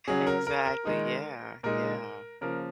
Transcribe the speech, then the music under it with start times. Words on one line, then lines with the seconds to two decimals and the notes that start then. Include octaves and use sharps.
Exactly, yeah, yeah.
0.07 C#3 F#3 C#4 G#4
0.27 A#4
0.47 A#4
0.66 A#4
0.85 D#3 G#3 D#4
1.63 A#2 G#3 D#4 A#4
2.41 C#3 F3 A#3 A#4